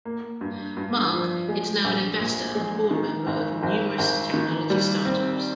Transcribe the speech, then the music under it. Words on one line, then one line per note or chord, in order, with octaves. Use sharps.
Mark is now an investor and board member of numerous technology startups.
A#3
G2
G2
F3
G#3
A#1
A#2
G#3
D#3
G#1
G#1
G#1
D#3
G3
C4